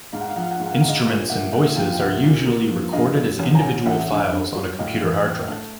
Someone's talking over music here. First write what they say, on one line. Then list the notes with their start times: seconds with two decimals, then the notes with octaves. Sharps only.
Instruments and voices are usually recorded as individual files on a computer hard drive.
0.13 G#2 F5
0.21 F#5
0.29 F5
0.36 F3 F#5
0.43 F5
0.51 F#5
0.58 G#2 F5
0.66 F#5
0.74 F5
0.81 G#2 F#5
0.88 D#5 F5
1.06 A#2
1.29 A#2 E5 F#5
1.52 A#3 E5 F#5
1.76 F3 F5 G5
1.92 G5
1.99 C2 E5 F#5
2.23 A#2
2.45 A#3
2.70 F3
2.93 G2 D#5 F5
3.16 F#3
3.39 A1
3.55 G#5 A#5
3.62 A1
3.86 A1 E5 F#5
4.09 D3
4.32 G2
4.56 F#3
4.79 A2 D#5 F5
5.03 E3
5.25 A2
5.48 A3